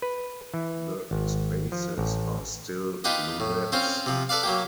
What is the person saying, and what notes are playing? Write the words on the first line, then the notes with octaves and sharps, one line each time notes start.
The spaces are still lunettes.
B4
E3
G#1
F3
A1
D#4 F4 G4 B4 D#5
A2
C4 C#4 F4 C5
C3 F3
A4 B4 D5 F5
F#3 A#3 G4